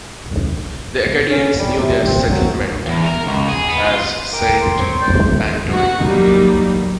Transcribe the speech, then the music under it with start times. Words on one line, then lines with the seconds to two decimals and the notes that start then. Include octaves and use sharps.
The Acadians knew their settlement as Saint Antoine.
1.30 C#4
1.59 G3
1.78 C3
2.06 C4
2.30 F#3
2.87 E2
3.06 A#4
3.26 C#2
3.49 G#4
3.69 B3
3.84 F4
4.33 A#4 G5 D6
4.59 C6
4.78 C4 C#5
5.01 C5 D5
5.70 F#4
6.02 F#3 G3 A#3 D#4